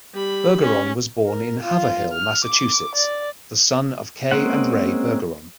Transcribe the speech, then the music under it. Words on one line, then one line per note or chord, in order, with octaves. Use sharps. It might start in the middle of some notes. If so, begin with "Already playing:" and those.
Bergeron was born in Haverhill, Massachusetts, the son of Kay and Ray Bergeron.
G3 B5
C#4
A#4
F4
F6
D6
D5
G#3 A#3 C4 C#4 F#5